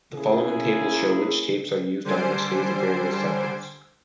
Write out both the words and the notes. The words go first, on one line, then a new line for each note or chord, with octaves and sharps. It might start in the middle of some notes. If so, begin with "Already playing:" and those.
The following tables show which tapes are used on which days of various cycles.
A#3 C#4 E4 G#4
D3 G3 C5 G#5 C7 D7